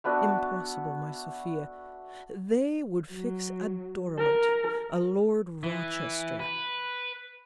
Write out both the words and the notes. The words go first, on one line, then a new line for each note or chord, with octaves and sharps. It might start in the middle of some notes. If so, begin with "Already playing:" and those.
Impossible! my Sophia; they would fix a Dorimant, a Lord Rochester.
A3 B3 D4 F#4
F#3
A#4
E3
B4